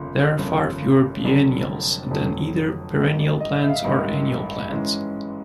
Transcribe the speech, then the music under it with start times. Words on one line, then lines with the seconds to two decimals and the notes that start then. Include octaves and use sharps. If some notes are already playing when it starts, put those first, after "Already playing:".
There are far fewer biennials than either perennial plants or annual plants.
Already playing: G1 F2 C#3 F3 A#3
0.38 G1 F2 C#3 F3 A#3
1.24 F1 F2 D3 F#3 D5
2.11 F1 F2 D3 F#3
2.98 A1 G2 D#3 G#3
3.19 D5
3.40 D#5
3.62 E5
3.69 F5
3.76 E5
3.84 A1 G2 D#3 G#3
4.70 G#2 E3 G#3 C#4